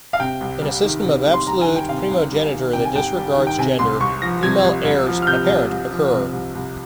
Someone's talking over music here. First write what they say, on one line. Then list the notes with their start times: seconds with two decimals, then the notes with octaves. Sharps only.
In a system of absolute primogeniture that disregards gender, female heirs apparent occur.
0.13 F5
0.20 C3 G5
0.41 C2
0.62 G3
0.83 D#3
1.04 C3
1.25 C2
1.33 C6
1.46 G3 A#5
1.61 G#5
1.68 D#3
1.75 G5
1.89 C3 F5
2.11 C2
2.32 G3
2.53 D#3
2.73 C3 G5
2.85 G#5
2.95 C2 G5
3.16 G3
3.37 D#3
3.47 G5
3.58 C3 G#5
3.79 C2 C6
4.00 C2 C#6
4.22 F3 A#6
4.43 C3 G#6
4.64 C2
4.85 C2
5.06 F3
5.22 F6
5.27 C3 G6
5.49 C2
5.70 C2
5.90 F3
6.12 C3
6.33 C2
6.55 C2